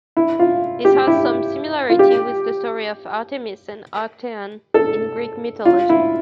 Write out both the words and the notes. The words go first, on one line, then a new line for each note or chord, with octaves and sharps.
This has some similarity with the story of Artemis and Actaeon in Greek mythology.
E4
F4
G4
E4
F4
G4
A4
F4
E4